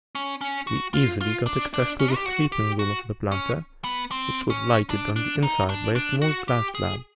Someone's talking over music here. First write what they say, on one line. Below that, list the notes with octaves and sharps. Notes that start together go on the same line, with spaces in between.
We easily got access to the sleeping-room of the planter, which was lighted on the inside by a small glass lamp.
C#4
C#4
F#4
F4
F4
D4
D4
C#4
G4
F#4
G4
F#4
C#4
B3
C4
C#4
D4
D4
D#4
D4
D4
F#4
G4
G#4